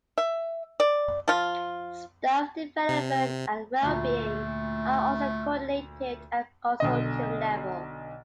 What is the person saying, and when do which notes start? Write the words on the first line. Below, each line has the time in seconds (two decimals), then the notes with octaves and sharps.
Staff development and well-being are also coordinated at consortium level.
0.18 E5
0.80 D5
1.28 F3 F4
2.89 C3
3.83 D2 A#2 A3
6.80 B1 D3 D#5